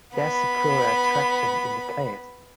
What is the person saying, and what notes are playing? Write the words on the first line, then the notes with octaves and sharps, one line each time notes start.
There's a cruel attraction in the place.
B3 B5